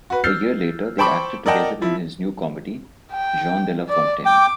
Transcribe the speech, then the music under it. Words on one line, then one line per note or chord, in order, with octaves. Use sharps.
A year later they acted together in his new comedy, "Jean de la Fontaine".
F#4 B4
E6 F6 G6 A6 C7
C5 G5 A5 B5 C#6 D6
A#4 D5 D#5 F#5 G5 A5
F3 E4
G5
D5
G5 D6